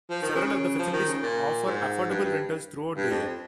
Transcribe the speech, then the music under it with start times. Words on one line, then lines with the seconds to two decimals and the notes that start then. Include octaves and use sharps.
Several of the facilities offer affordable rentals throughout the year.
0.10 F3
0.22 D#3
0.35 C#3
0.79 F3
0.93 D#3
1.08 C#3
1.22 A#2
1.66 G#2
2.10 G2
2.24 G2
2.97 G2
3.10 F2